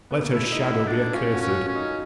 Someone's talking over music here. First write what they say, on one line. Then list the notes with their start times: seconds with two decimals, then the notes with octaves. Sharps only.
Let her shadow be accursed.
0.11 B3
0.21 A#3
0.32 A3 E4
0.52 D#4
0.60 E4
0.74 F#4
0.87 D4
1.13 C#4 F4
1.35 F#4
1.41 C#4
1.68 C#4
1.75 D#4